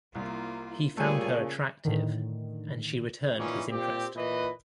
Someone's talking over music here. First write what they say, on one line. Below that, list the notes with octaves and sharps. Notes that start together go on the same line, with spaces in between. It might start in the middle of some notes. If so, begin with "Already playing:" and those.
He found her attractive, and she returned his interest.
C2 A#3 E4 F4
A#2 G3 A3 G#4 C#5 G#5
C#3
A2 D3 D#3
A#2 D#3 E3 C#4
A#2 C4 G4
A#2 E3 B4 D#5